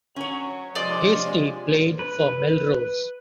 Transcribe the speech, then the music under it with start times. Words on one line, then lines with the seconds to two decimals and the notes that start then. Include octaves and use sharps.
Hastie played for Melrose.
0.16 F#3 C#4 C#5
0.75 C3 F3 G#3 D5 D#5
1.99 B4